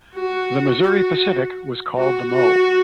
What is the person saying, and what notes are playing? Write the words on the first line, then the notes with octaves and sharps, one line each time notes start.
The Missouri Pacific was called the Mo.
F#4
F#4
F#4
F#4